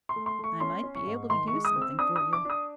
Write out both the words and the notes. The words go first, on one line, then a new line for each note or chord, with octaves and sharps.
'I might be able to do something for you.
C6
A3
C6
A3
C#6
C#4 C6
C#4
C#6
G#2
D#3 C6
C#6
G#3
D#6
C4
E6
D4 D#6
D#6
D4
D6
D4 D#6